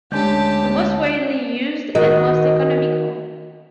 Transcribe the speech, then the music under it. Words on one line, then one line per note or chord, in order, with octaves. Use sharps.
The most widely used and most economical.
D2 G#3 C#4 D4 G4 A5 G6
D#3 F#4 D#5